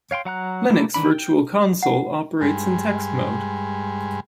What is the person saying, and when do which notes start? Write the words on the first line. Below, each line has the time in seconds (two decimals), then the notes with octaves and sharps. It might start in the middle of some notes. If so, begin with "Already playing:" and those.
Linux virtual console operates in text mode.
0.11 C#5 F5 G5 C6
0.25 F#3 F#5 A#5 F#6
0.70 A3 A#3 E4 G4
0.94 D#3 E3 D4 B5
1.13 G5
1.83 F#5
2.41 G2 G#3